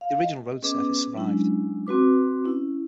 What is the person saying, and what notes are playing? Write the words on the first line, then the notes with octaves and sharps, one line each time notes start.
The original road surface survived.
F5
D#5
B3 C#4 G#4 B4 D#5 D6
F#3 G#3 C#4 D4 E4
C4 F#4 B4 D6
C#4 E4